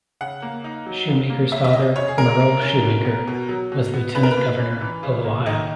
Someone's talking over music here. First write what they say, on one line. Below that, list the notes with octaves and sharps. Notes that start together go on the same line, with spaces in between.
Shoemaker's father, Myrl Shoemaker, was Lieutenant Governor of Ohio.
C#3 F#5
A#3
D#4
F#3
C#3
A#3
C#3 E5
E5
C#4 D#5
C#3 C#5
G#4
G#3 A#4
C#3
C#4
B2
B3
B2
F#3
B2
B3
C#3 B4
A#4
B4
A#3
C#4
E3
C#3
A#3
D#3 D#5